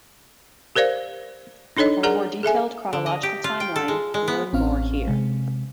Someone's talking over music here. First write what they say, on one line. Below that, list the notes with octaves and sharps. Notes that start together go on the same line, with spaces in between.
For a more detailed chronological timeline, learn more here.
G4 A#4 C5 D5 F5
D4 D#4 A4 C#5 D#5
G#4 A#4 D5 F#5 A#5
G#4 A4 E5 G#5
D3
D#5
G4
F4
G5
A4
G#3
G#3
B3
A1 C4 C#4 F5
C3 G#3